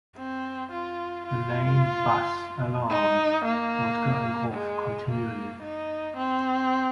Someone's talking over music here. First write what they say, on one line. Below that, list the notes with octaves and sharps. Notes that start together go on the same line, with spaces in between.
The main buss alarm was going off continually.
C4
F4
F4
D#4
A#3
G#3
A#3
D#4
C4